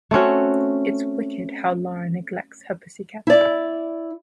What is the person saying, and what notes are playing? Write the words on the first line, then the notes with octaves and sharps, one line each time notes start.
It's wicked how Lara neglects her pussy cat.
A3 C4 C#4 F#4
E4 D5